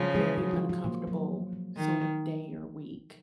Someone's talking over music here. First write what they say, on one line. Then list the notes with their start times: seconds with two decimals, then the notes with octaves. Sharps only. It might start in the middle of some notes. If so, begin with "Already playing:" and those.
very uncomfortable sort of day or week.
Already playing: C#3 F3
0.15 G#3 G#4
0.38 F#3 F#4
0.53 F3 F4
0.69 F3 F4
0.84 A#2 A#3
1.07 F#3
1.53 F3
1.77 D#3